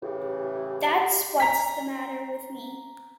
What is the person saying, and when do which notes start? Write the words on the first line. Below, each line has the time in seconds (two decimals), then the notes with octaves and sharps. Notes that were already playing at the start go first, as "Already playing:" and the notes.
That's what's the matter with me.
0.03 A2 C#3 E3 G4
1.40 A#5 B6